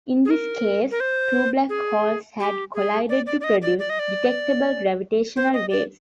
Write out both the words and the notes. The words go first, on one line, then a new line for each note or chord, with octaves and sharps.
In this case, two black holes had collided to produce detectable gravitational waves.
G#4
A#4
A#4
C5
G#4
G4
G#4
D5
D5
D5
D#5
D5
D5
D#5
D5
C5
D#5
D5